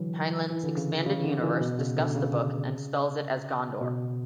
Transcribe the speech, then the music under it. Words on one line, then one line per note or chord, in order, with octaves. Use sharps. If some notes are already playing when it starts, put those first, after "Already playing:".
Heinlein's "Expanded Universe" discusses the book, and spells it as Gondor.
Already playing: D3 E3 F#3
E3
D3
C#3
C#3
D3
E3
B2
C#3
D3
C#3
B2